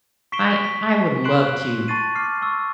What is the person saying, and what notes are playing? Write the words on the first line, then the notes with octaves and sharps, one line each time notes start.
I I would love to,
C#6 B6 C7 D7 E7 G7
B6
C6 F#6 C7 D7 E7 F#7
A5 C6 C#6 A6 C7 D#7
D6 F6 C7
C6 C#6 E6